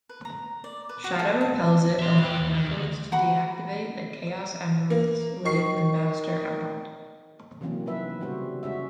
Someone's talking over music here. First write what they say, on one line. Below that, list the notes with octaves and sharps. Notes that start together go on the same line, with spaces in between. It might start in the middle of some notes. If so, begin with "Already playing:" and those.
Shadow repels it, allowing Knuckles to deactivate the Chaos Emeralds with the Master Emerald.
B4
A#5
D5
B4
F#4
A4
A5
E5 C6
F4 G5
D#2
D#3
D2
F#4 F#5 A#5 B5
A#3
D#3 C#6 C7
C3 E3 F#3 A#3 C4 C#4
D#3 F3 B3 B4 E5
C#3 G3 F#4 C5
G#3 C#4 F#4 E5